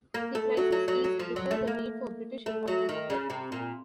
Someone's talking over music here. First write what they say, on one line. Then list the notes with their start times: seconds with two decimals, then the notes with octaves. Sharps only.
The crisis eased before the need for British involvement occurred.
0.14 A#3
0.35 A3
0.57 F#3
0.72 F#3
0.88 F#3
1.04 F#3
1.19 F3
1.36 F#3
1.51 A3
1.67 A#3
2.46 A3
2.68 F#3
2.89 D#3
3.10 C#3
3.30 C3
3.52 A#2